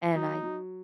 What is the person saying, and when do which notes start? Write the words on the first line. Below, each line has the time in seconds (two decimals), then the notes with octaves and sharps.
and I,
0.15 F#3 D#4
0.43 F#3